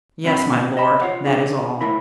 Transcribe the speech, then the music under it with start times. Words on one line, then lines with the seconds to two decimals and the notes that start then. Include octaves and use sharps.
"Yes, my lord; that is all."
0.24 A#2 D3 F#3 C4 A#4 B5
0.77 D#5 A5 B5
1.02 F4 C#5 F#5
1.25 D4 G#4
1.81 A2 D3 E4 A#4 B5